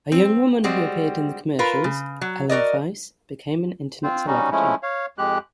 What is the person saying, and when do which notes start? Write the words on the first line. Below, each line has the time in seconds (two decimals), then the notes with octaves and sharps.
A young woman who appeared in the commercials, Ellen Feiss, became an internet celebrity.
0.12 C4
0.64 G3 G#3 C4 F#4 G4
1.59 F4 A#4 B4
1.84 C#3
2.21 F#3
2.49 F#4 A#4 D5 D#5
4.03 C4 F4 C5
4.27 G3 C#4 D#4 F#4
4.52 F3 G#3 A3 C#4 E4
4.83 C#5 F5
5.18 F2 G#3 G4 F#6